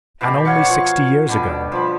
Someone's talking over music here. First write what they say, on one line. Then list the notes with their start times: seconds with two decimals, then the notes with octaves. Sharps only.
And only sixty years ago!
0.21 B2 E3 G4
0.45 C#5 F5 F#5 C#6
0.65 F3 C#6
1.28 B2 D3 G3
1.72 F3 B5